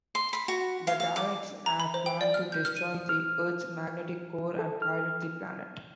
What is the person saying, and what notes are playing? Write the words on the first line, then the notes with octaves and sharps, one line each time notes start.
The Daleks here plan to destroy the Earth's magnetic core and pilot the planet.
C6
B5
F#4
F5
F5
D6
A#5
B5
C5
G5
D5
F6
G6
F6
D#7
F6
A4
F6